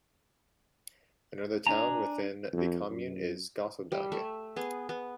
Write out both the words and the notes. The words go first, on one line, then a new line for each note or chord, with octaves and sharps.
Another town within the commune is Gosseldange.
D4 G#5 A#5
F2
F#2
G3
A3 E5
B3 G#4
B3